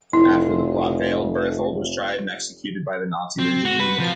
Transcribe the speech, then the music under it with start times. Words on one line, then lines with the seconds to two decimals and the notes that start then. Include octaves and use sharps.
After the plot failed, Berthold was tried and executed by the Nazi regime.
0.13 F1 E4
3.39 C4
3.65 F#4
3.80 B4
4.00 F3